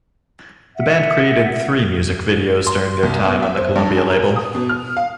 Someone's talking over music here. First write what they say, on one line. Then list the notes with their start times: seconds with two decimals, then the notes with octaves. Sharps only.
The band created three music videos during their time on the Columbia label.
0.75 E5 F#5
2.67 C6
3.03 C2
3.25 B3
3.42 E5
3.58 C5
3.76 G2
3.97 G#4
4.10 A#4
4.36 D#6
4.55 B2
4.69 F6
4.97 F5